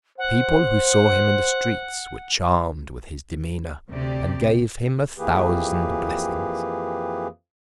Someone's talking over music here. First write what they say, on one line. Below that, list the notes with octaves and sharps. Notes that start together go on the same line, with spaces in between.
The people who saw him in the streets were charmed with his demeanour, and gave him a thousand blessings.
C5 F#5
D2 C3 G4 D5
F2 E3 A#3 G4 G#4 B4